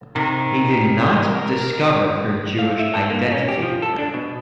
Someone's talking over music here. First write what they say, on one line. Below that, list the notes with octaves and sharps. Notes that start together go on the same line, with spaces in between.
He did not discover her Jewish identity.
C3 D#3
A#4
F5
E5
A4
A#3
C#4
G4
F3
A4
D4
B2